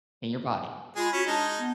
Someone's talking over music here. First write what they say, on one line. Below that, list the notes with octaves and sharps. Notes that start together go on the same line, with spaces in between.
in your body.
G#3 F4 G#4 G#5 B5
C#4 F#4 B6 C#7 E7
G#3 D4 D#4 A5 A#6 G7
B3